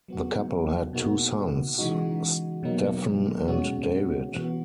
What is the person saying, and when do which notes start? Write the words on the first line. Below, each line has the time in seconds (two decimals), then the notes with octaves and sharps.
The couple had two sons: Stephen and David.
0.08 F#3 B3 F#4
0.93 B2 A#3 D#4 F#4
1.78 C#3 E3 G#3 D#4 F#4
2.63 B2 F#3 A#3 D#4
3.48 B2 G#3 C#4 F#4
4.33 E3 B3 F#4